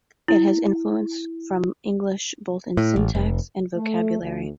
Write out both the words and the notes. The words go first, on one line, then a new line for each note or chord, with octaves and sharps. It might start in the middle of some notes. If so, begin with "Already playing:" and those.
It has influence from English both in syntax and vocabulary.
E4
A2
A1
F1
A3
D2